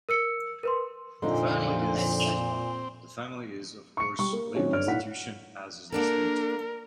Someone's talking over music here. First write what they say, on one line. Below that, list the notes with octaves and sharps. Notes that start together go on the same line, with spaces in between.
The family is, of course, a legal institution as is the state.
A#4 E6 C#7
A#4 B4 C6
F2 A#2 D3 F3 C4 D#4
C#6 C#7
G3 C#6
A#3
D#3 F#3 C4 C#4 F#4 C#5
G1 C#5 D5 F6 D7
B1 A2 E4 F#5 B6
A#3 D4 A4 A#4